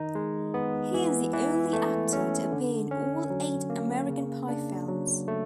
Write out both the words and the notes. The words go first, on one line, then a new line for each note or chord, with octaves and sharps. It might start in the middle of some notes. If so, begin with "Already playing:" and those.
He is the only actor to appear in all eight "American Pie" films.
Already playing: D#3 D#4
G#3
B3
E3
E3
A3
C#4
D3
C#4
F#3
A#3
C#3
D4
F#3
A3